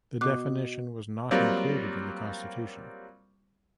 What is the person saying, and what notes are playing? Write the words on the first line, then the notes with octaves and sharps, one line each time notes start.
The definition was not included in the constitution.
B2 D6 F#6
F#3 G3 A#3 C4 F4